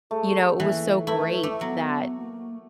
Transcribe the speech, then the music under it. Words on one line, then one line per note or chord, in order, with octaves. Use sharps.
you know, it was so great that
A3 G#4
E3 A#3
A3 E4 B4
A3 D6
F#3 B3
A#3